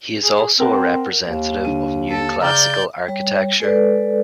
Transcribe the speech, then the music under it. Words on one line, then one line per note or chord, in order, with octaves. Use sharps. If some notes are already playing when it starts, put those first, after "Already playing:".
He is also a representative of New Classical Architecture.
G#4
C4 A#4 F#5 A5
D#2
D3 D#7
A4
C#3 D5 A#5 D6 F6 G6
G3 C#5
G#3 A4 B4 D5